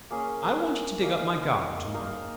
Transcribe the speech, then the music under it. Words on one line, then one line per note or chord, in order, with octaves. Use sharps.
'I want you to dig up my garden to-morrow.'
A#3 C#4 G#4
A#3 D#4 A#4 F5
A#3 D#4 A#4 F5